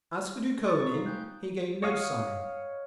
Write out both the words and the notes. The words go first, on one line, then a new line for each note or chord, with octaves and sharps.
As for Dukhonin, he gave no sign.
F4 A#4 C5 C6 C#6 A6
A#5 D#6
D#4 F5 C#6
A3 G5 G#5 F#6 G6
C#5 D#5 F5 F#5